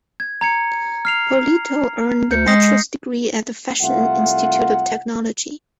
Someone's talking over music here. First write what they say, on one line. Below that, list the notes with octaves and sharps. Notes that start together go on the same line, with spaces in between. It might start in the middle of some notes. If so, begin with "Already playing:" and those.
Polito earned a bachelor's degree at the Fashion Institute of Technology.
G#6
A#5 G#6 C#7
F6 C7 F7
D2 G6 C#7
G#3 D#6 A#6 C7
C2 A3 F4 E5 F#5